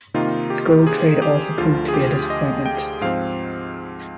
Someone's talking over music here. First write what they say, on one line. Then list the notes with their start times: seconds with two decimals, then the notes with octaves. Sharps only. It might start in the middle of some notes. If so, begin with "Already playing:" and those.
The gold trade also proved to be a disappointment.
0.14 C3 D#3 A#3 D#4 F4
0.50 G4
0.87 G#4
1.22 G4
1.58 D2 D3 F3 F4
1.88 G#4
1.94 G4
2.30 D#5
2.66 G5
3.01 G#2 F3 C4 F5